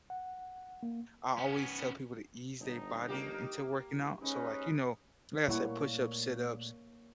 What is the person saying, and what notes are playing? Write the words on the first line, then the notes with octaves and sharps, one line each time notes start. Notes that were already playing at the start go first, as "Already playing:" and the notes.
I always tell people to ease their body into working out. So, like, you know, like I said, push-ups, sit-ups,
F#5
A#3
B3 C#4
G1 D#4
A#3 G4
A2
G#2 C#4 D#4 B4
A#2 G3 A3 A#3 E4 C#5 F#5